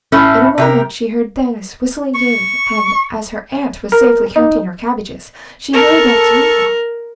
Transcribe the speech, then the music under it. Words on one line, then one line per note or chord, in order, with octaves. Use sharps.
In a moment she heard Denis whistling gaily, and as her aunt was safely counting her cabbages, she hurried out to meet him.
A2 A3 C#4 E4
C3 G4 A#4
C#6
A#4
D#4
A4 A#4 C#6